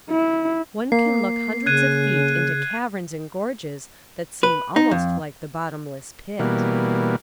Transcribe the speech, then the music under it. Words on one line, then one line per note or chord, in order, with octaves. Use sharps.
One can look hundreds of feet into caverns and gorges that seem almost like the bottomless pit.
E4
A#3 C7
C#3 F#6 G#6 D#7
B4
D#4
F2
B2 E3 G3 A#3